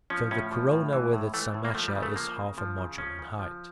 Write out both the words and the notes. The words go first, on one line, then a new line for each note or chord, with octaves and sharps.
So the corona with its cymatia is half a module in height.
F3 C#4
A2 C#4
F3
A2
E3
A2
E3 A3
A2
A#3
F3 A3
G3
C#3
A3
F3 A#3
C#3
F3
C#3
F3 C#4
C#3
F3